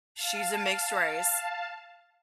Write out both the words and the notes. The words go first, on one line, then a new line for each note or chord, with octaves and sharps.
she's a mixed race,
F5 A5